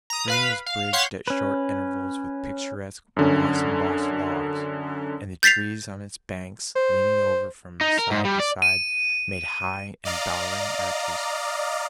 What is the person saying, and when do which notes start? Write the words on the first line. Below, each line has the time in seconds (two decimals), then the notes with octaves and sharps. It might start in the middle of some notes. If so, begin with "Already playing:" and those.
The stream was bridged at short intervals with picturesque, moss-embossed logs, and the trees on its banks, leaning over from side to side, made high embowering arches.
0.10 A#5 D#6
0.28 B4 F5 B5
0.66 F5
0.93 C#5 F5 F#5 C6 G6 B6
1.28 C#4 B4
3.17 F#2 D3 C#4
5.43 G6 A6 B6 C7 F7
6.76 C5
7.81 D#4
7.99 A#4
8.11 G#2
8.25 G3
8.40 D5
8.62 D#7
10.05 D5 D#5 F5 A#5